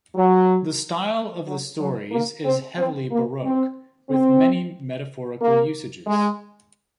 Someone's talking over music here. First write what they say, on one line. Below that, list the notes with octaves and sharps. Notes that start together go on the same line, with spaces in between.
The style of the stories is heavily Baroque, with many metaphorical usages.
F#3
F#3
F#3
A#3
C4
C4
A#3
C4
C4
A#3
G#3